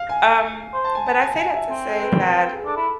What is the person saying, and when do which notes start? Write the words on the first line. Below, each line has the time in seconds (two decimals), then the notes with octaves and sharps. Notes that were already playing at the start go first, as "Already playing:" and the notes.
Um, but I say that to say that
Already playing: F5
0.09 G#5
0.74 C5
0.84 A5
0.95 G#5
1.06 A5
1.21 G#5
1.37 G#5
1.54 E5
1.70 C4
1.86 A4
2.01 B4
2.52 G#4
2.66 D4 A4
2.77 E4